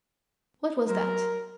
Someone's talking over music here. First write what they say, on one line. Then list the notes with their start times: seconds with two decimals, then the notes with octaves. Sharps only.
What was that?
0.87 F#3 A#4 C5